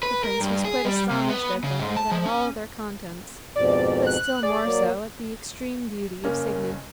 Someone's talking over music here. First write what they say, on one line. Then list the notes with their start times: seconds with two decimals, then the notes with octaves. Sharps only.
The prince was quite astonished at them and at all their contents, but still more so at the extreme beauty of Signy.
0.03 B4
0.24 A#4
0.41 G2
0.65 G#4
0.85 G3
1.10 C3
1.29 B3
1.64 C#3
1.80 G#2
1.97 A5
2.11 F3
2.26 C#4
3.56 F2 G#2 B2 D5
4.06 F#6
4.43 G#4 D5
4.64 F#3 A#3
6.24 F#1 A#3 C#4 A#4